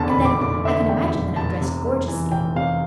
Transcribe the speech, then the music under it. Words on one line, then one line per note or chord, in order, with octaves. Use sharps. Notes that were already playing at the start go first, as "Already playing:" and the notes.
And then I can imagine that I'm dressed gorgeously.
Already playing: F1 E2 D3 A5
B5
F1
D6
F1 D6
D3 E5
E2 G5
F1
F1 A5
C3
E2
E3
F1 G5
C3 F5